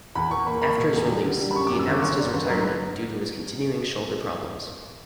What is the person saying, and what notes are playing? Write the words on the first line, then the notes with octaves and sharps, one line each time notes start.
After his release, he announced his retirement due to continuing shoulder problems.
E2 B5
E2 C#6
A#3 B5
A#3 B5
B2
E2
G3
D3
G3
B5
F#2 C#6
F#2 D6
E6
G1 D6
G1 C#6
D3 D5
G1 B4
B4
F#3 A#4
B4